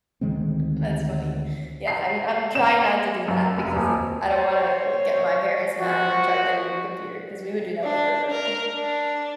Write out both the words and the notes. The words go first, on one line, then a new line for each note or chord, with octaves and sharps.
That's funny. Yeah, I'm I'm trying not to do that because, eh, I don't wanna, like, get my parents mad and then try to get a new computer, 'cause we would do that when we were little.
D2 D#3 G#3 C4
C7
E7
F#2
F1
D#1
C5 C#5
F3 F#4
D4
A#4
D4